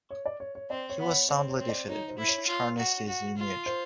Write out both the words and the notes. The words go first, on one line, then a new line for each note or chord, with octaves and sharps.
He was soundly defeated, which tarnished his image.
C#5
D5
C#5
C#5
C4 D5
C#5
B3
C#5
C4 C#5
C#5
C4
D5
D#4 C#5
C5
E4
C#5
F4
F#4
F#4
F4
C5